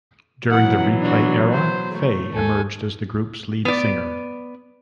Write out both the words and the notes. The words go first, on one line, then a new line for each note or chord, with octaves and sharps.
During the Replay era, Faye emerged as the group's lead singer.
B2 E3 F#3 E4 F#5
D4 F#4
C5
A3
D#2 A4 G#5
B3 D5